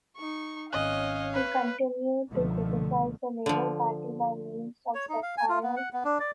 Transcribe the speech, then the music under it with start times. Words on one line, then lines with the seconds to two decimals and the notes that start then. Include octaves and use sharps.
He continued to criticise the Labour Party by means of satire.
0.17 D#4 C#6
0.73 G#1 C#4 C#5 D#5 F5 F#6
1.34 B4
2.29 C#2 B2 D3 D#3 F3 A3
3.46 D3 F3
4.94 C#5
5.09 D#4
5.23 F5
5.38 G#5
5.49 F4
5.63 B3
5.76 F#5
5.93 B3
6.05 D4
6.20 D5